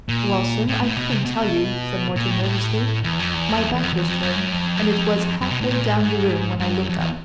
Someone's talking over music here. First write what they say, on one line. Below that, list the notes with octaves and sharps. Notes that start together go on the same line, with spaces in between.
"Well, sir, I couldn't tell you," said Morton nervously; "my back was turned, and it was halfway down the room when I looked up."
A#2
A2
A2
B2
C3
B2
A#2
A2
G#2
A2
E2
F2
E2
F2
E2
E2
F2
E2
F2
F#2
F2
F#2
F2
F#2
B2
A2
A#2
A2
G#2
G2
F#2
F2
E2